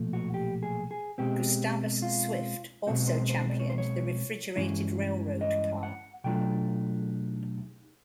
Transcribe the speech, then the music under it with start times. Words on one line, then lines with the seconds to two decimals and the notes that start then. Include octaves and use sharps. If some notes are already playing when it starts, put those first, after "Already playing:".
Gustavus Swift also championed the refrigerated railroad car.
Already playing: B1 A#2 F3 A3
0.13 F#4
0.34 G4
0.63 G#4
0.91 G#4
1.18 B2 G#3 C4 G4
2.02 F4
2.87 B1 B2 G#3 C4 F#4
3.08 C5
3.30 C5
3.50 D5
3.60 C#5
3.70 C5
3.78 C#5
4.56 G2 E3 G#3 C#4 E4
5.41 D#5
5.83 F#5
6.24 B2 F#3 A3 D4 F4 G5